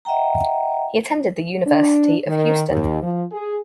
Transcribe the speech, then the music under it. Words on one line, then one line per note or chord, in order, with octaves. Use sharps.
He attended the University of Houston.
D#5 E5 F#5 G5 A#5
D4
D#3
D#2
F3
G#4